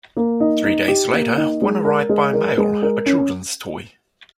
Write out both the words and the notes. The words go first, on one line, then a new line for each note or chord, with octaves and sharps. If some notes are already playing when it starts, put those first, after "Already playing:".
Three days later, one arrived by mail - a children's toy.
A#3
D#4
D#4
G4
A#3
D#4
G#3
A#4
G#3
A#4
G#3
A#4
C#4